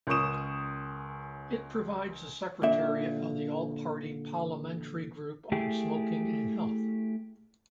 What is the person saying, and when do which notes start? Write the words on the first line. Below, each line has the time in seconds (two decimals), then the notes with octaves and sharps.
It provides the secretariat of the All-Party Parliamentary Group on smoking and health.
0.07 C#2 C#4 A#4 C#6 D#6 E7
2.63 A#2 D3 E5
5.52 A3 E4 G4 G#4